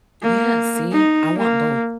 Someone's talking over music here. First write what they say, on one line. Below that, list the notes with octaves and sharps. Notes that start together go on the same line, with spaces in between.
Yeah, see. I want both.
A#3
D#4
A#3